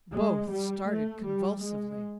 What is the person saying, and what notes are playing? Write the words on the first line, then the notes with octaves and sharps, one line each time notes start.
Both started convulsively.
G#3
G3
A3
G3
G#3